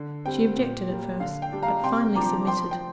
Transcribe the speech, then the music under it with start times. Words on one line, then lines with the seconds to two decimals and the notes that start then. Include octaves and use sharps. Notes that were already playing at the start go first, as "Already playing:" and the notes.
She objected at first, but finally submitted.
Already playing: D3
0.25 G3 C4 G5
0.57 A#2
0.88 G3 A#3
1.20 D3 F5
1.42 G5
1.52 G3 D4
1.63 F5 A#5
1.84 C3 G5 C6
2.15 F3 D4 A#5 D6
2.47 F3 G5 C6
2.71 G5